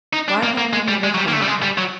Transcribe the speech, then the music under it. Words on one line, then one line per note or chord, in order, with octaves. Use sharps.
'Why have I never found it?'
D#4
D4
A#3
A#3
G#3
G3
G#3
F#3
G3
A#3
A3
G3
G#3
G3
F#3